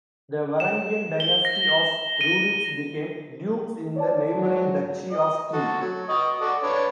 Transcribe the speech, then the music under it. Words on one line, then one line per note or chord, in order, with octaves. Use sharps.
The Varangian dynasty of Ruriks became dukes in the neighboring Duchy of Kiev.
E7
G7
A#6
D#7
C#5 D5 A5
G#2 F#3
D#5
F#4 A4
F#3
D#5 C#6
F#4 A4 D5
D4 B4 C#5